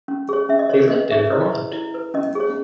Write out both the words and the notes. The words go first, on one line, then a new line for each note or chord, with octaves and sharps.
They lived in Vermont.
C#4
G#4 C#5
C#4 E5
D#5
C#5
G#4
C#5
C#4 D#5
G#4 C#5 E5
E4 D#5
B4
E4
B4
C#4 D#5
G#4 C#5